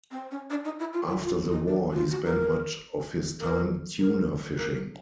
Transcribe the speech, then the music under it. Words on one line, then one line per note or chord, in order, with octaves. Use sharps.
After the war he spent much of his time tuna fishing.
C4
C#4
D4
D#4
E4
F4
E4
F4
D#4
D4
F#4
F4
F#4
A#4
A#4
A#4
A#4